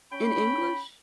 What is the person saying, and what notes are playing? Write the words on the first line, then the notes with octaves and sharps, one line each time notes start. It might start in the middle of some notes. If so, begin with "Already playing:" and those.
in English?
C#4 G5 B5